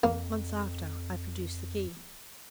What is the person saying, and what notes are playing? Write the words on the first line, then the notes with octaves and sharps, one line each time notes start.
Months after I produced the key.
F2 A#3